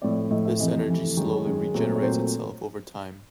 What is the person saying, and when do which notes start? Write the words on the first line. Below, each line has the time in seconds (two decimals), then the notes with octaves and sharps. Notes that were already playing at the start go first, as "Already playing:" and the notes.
This energy slowly regenerates itself over time.
0.02 A2 F3 A3 C4 D5
0.31 A2 F3 A3 C4 D#5
0.45 E5
0.60 F2 C3 E3 A3 D#5
0.88 F2 C3 E3 A3
1.17 F#2 D#3 G#3
1.31 C#5
1.45 F#2 D#3 G#3
1.74 A#2 F#3 A3 C4
1.96 C#5
2.02 A#2 F#3 A3 C4 C5